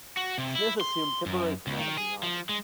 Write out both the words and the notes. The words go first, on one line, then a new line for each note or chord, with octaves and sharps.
Smith assumed temporary command of the army.
F#4
C3
E4
C6
F#2
C#2
D#3
G#4
F3
G#3